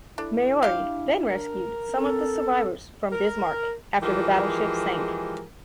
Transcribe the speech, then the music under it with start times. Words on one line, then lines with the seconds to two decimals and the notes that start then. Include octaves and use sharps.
"Maori" then rescued some of the survivors from "Bismarck" after the battleship sank.
0.18 D4 E4 A4
0.63 D4 G4 F5
1.29 A#4
1.95 C4 A4
3.12 A#4
4.02 E3 F3 G#3 G4 G#4 A#4